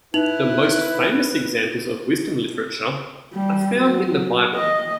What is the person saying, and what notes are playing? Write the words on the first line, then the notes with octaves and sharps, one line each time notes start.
The most famous examples of wisdom literature are found in the Bible.
D#4 E4 B4 F7 F#7
G3
F#3
D#5